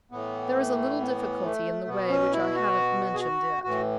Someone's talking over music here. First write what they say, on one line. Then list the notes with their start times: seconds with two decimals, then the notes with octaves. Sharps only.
There is a little difficulty in the way which I haven't mentioned yet.
0.11 A2 E3 B3
0.56 A3
1.00 B3
1.43 A3
1.87 B2 B3
2.10 C#4
2.33 E4
2.55 F#4
3.14 G#4
3.20 F#4
3.64 A2 E3 F#4